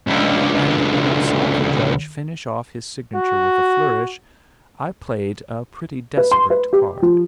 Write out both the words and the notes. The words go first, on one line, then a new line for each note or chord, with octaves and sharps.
And when I saw the judge finish off his signature with a flourish, I played a pretty desperate card.
C#2 D3
F#4
B4
C6
B4
G4
F3